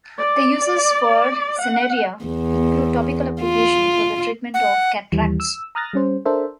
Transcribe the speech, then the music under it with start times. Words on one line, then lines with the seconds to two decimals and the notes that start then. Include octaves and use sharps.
The uses for "Cineraria" include topical application for the treatment of cataracts.
0.19 D5
1.61 F#5
2.25 E2
3.42 F4
4.54 F#5
5.12 D#2 E3 G3
5.40 E6
5.75 A#5 D#6 F6 F#6 A6 A#6
5.93 G3 C#4 C5
6.25 D4 A4 A#4 C5 E5